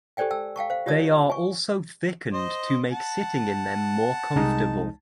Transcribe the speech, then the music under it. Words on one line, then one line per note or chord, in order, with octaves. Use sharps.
They are also thickened to make sitting in them more comfortable.
G4 A4 C5 D5 G5 G#5
G5 A5 E6
F5 G5 A5 C#6
C5 F5
F4 G4 C#5 D5 A5 D#6
G#5 C#6
C5 D#5
F#5 A5
C2 G#3 D#4